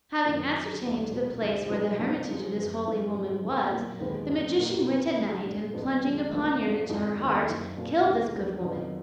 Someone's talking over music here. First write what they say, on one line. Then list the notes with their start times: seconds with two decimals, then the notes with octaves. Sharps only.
Having ascertained the place where the hermitage of this holy woman was, the magician went at night, and, plunging a poniard into her heart, killed this good woman.
0.24 F#2 D#3 A#3 D4 F4
0.53 D3 F#3 D4
0.82 D#2 D3 F#3 B3 D4
1.11 B2 A#3 F4
1.39 D#2 D3 F3
1.69 B2 F#3 B3 D4
1.98 F2 D3 F3 A#3 D#4
2.27 D3 F3 G#3 D#4
2.56 F#2 F3 B3
2.84 F#2 F3 B3 D#4
3.14 G#2 F3 G#3
3.43 F2 D3 F3
3.71 A#2 F#3 A#3
4.00 D#2 D#3 G#3 B3
4.29 F2 D3 F#3
4.58 B2 A#3 D#4
4.87 D3 F3 B3
5.15 D2 D3 G#3 D#4
5.45 A#2 G#3 D4
5.73 F2 D3 F#3 B3
6.03 F2 D#3 G#3
6.31 D2 D3 F3 A#3 F4
6.61 G#2 F3 A#3 D4
6.89 F2 D3 G#3 D#4
7.18 D#2 D#3 A#3 D#4
7.47 F#2 F3 A#3 D#4
7.77 B2 A#3 D4 F4
8.05 D#2 D3 G#3 D4 F4
8.34 D#2 D3 F#3 B3
8.63 F2 D#3 F#3 B3 D4